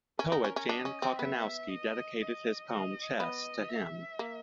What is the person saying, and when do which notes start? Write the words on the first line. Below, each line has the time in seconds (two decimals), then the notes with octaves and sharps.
Poet Jan Kochanowski dedicated his poem "Chess" to him.
0.19 C#4 A#4
0.32 D#4
0.44 C#4
0.56 C#4
0.69 D4 D#5
0.85 C#4
1.02 C4
1.19 B3 E5
1.69 D#5
2.19 D#5
2.69 D#5
3.20 B3 D#5
3.69 E5
4.19 A#3